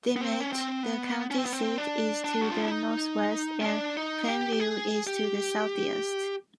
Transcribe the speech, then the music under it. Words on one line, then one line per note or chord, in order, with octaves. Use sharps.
Dimmitt, the county seat, is to the northwest, and Plainview is to the southeast.
B3
C4
C#4
C4
B3
C#4
C4
B3
C4
D4
D4
F#4
F4
E4
D#4
C#4
D4
D#4
G4
G4
G#4
G4